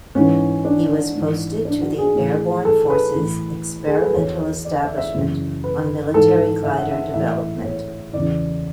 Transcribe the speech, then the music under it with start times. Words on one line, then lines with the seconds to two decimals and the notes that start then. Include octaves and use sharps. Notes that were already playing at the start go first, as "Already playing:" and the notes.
He was posted to the Airborne Forces Experimental Establishment on military glider development.
0.15 G#2 E3 C#4
0.65 D4
1.15 G#2 E3
1.65 D4
1.81 F#4
1.98 G#4
2.15 A2 E3
2.65 A4
2.90 B4
3.15 A2 E3
3.87 G#4
3.96 A4
4.05 B4
4.14 E2 B2 C#5
4.65 D5
4.81 E5
4.97 E5
5.14 F#2 C#3 E3
5.64 B4
6.14 G#2 E3 A4
6.64 E5
6.78 F#5
6.91 E5
7.14 A2 E3 E5
7.64 C#5
8.13 E2 C#3 E3 D5